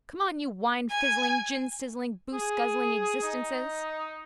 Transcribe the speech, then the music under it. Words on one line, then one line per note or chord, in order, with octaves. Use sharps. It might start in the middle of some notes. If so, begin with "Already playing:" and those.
Come on you winefizzling, ginsizzling, booseguzzling existences!
G#5
G#4
D#4